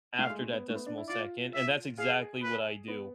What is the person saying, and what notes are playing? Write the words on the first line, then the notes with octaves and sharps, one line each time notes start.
after that decimal second, and that's exactly what I do,
A3 F5
G#3
A3
B3
A3
B3
D4
E4
F4 D5
E5
G#4 F5
B4
B3